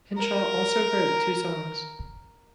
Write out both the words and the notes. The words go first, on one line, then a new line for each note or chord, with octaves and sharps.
Henshaw also wrote two songs.
A#4